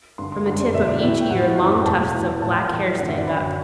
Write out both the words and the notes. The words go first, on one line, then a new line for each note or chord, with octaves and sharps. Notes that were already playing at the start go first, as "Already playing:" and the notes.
From the tip of each ear long tufts of black hair stand up.
G2 D3 C6
C6
F#2 D3 C6
D5
E2 B2 E5
D5
A2 E3 E5
G5
A2 E3 F#5
F#2 E3
G5
E2 B2 A5
A2 E3
A2 E3 A5
G5
F#5
A2 E3 G5
F#2 D3 F#5
E5
D5
F#2 D3 B5